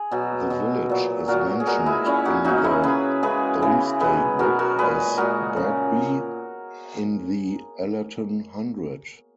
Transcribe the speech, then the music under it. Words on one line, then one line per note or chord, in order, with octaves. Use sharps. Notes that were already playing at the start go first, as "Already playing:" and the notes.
The village is mentioned in the "Domesday Book" as "Bergbi" in the "Allerton" hundred.
Already playing: G#4
B2 F#3
B2 F#3
A#2 F#3
A#2 F#3 F#4 A#4
G#4
A#2 G#3 F#4 A#4
E4 G#4
A#2 G#3 C#4 E4
D#4 F#4
C#3 F#3 D#4 F#4
E4 G#4
C#3 F#3 G#4 B4
C#3 E3 G#3 G#4 B4
C#3 E3 G#3
B2 F#3 G#4 B4
B2 F#3 F#4 A#4
F#4 A#4
A#2 G#3 G#4 B4
A#2 G#3 F#4 A#4
C#3